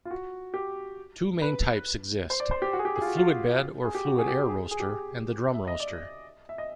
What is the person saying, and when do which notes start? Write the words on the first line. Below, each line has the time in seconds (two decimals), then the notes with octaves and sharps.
Two main types exist: the fluid-bed or fluid-air roaster, and the drum roaster.
0.05 F4
0.11 F#4
0.54 G4
1.42 B4
2.30 C5
2.40 D5
2.51 C5
2.62 G4
2.73 F#4
2.79 G#4
2.85 G4
2.96 G#4
3.01 F4
3.06 F#4
3.17 F4
3.84 G#4
3.95 G4
4.05 F#4
4.18 G#4
4.28 G4
4.49 G#4
4.71 G#4
4.80 G4
4.89 G#4
5.54 E5
5.68 D#5
5.80 D5
6.49 E5
6.58 D#5